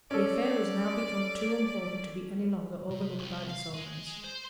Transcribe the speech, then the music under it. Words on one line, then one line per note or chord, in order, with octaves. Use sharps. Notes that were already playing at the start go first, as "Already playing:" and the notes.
The affair was now become too important to be any longer overlooked by the sovereigns.
C#4 A4 D5
C3
C2
F5
G#3
C5